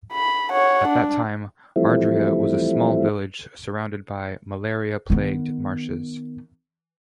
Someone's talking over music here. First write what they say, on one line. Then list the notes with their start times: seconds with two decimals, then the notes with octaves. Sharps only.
At that time Adria was a small village surrounded by malaria-plagued marshes.
0.13 B5
0.52 C#5 F#5
0.88 D4
1.76 E3 F3 G3 A3 C4 E4
5.10 D#3 B3